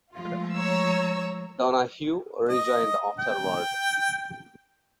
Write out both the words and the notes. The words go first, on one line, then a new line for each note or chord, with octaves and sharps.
Donahue rejoined afterward.
F3 G#3 A3 F4
C#5 A#5 E6
D#5
G5